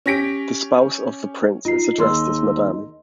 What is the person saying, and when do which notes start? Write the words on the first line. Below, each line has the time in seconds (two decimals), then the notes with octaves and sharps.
The spouse of the prince is addressed as Madame.
0.06 C#4 G4 A#6 B6 D7
1.65 D#4 F4 C7
1.98 D#2 D#4 G#4 C6 E6